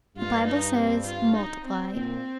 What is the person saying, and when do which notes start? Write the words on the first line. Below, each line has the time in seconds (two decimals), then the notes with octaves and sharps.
The Bible says: Multiply.
0.17 G2 F4
0.46 D#4
0.76 C4
1.05 F4
1.35 D#4
1.64 C4
1.93 A#2 C4